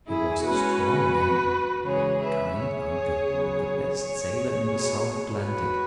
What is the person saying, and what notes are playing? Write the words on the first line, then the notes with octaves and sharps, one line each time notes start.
He was a strong man, a kind uncle and the best sailor in the South Atlantic.
E4 G#4
B2 G#3 C#4 F#4 B4
C#3 E3 G#3 G#4 C#5
B4 E5
G#4 C#5
C#3 F#3 B3
G#4 C#5
B2 B3
F#4 B4